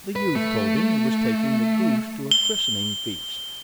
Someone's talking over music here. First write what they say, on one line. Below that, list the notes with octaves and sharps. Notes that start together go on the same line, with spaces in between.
The youth told him he was taking the goose to a christening feast.
B4
A3
G7